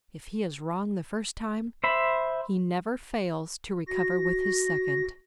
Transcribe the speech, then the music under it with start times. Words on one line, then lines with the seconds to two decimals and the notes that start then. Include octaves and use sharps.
If he is wrong the first time, he never fails to recover with his second.
1.84 C5 E5 B5
3.88 F#4 A#6